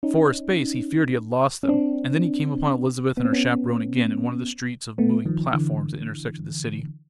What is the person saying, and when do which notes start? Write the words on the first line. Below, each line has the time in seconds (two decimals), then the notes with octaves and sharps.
For a space he feared he had lost them, and then he came upon Elizabeth and her chaperone again in one of the streets of moving platforms that intersected the city.
0.03 C#4 D#4
1.63 C#4
1.68 C4 D4
3.17 B3
3.25 C4
3.33 B3 C#4
4.98 A3 B3
5.26 D#3 F3
5.53 D3 E3